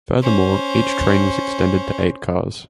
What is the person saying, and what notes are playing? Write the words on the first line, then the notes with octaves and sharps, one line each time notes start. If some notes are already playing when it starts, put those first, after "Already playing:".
Furthermore, each train was extended to eight cars.
C#4 C5